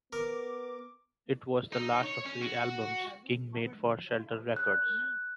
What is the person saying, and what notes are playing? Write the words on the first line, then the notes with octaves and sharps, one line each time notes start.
It was the last of three albums King made for Shelter Records.
B3 A#4 D6
D#4
C#5
C#4
F#4
F#6